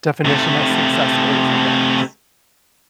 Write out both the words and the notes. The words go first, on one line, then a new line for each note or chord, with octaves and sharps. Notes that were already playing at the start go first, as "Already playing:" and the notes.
definition of success is, I guess.
C3 A3